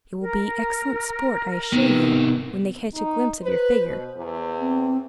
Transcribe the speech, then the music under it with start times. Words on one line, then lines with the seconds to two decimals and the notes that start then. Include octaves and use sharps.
It will be excellent sport, I assure you, when they catch a glimpse of your figure.
0.22 A#4
1.73 C3 D#3 B3
2.94 D#4
3.43 B4 C5
3.86 B2
4.17 E2
4.59 C4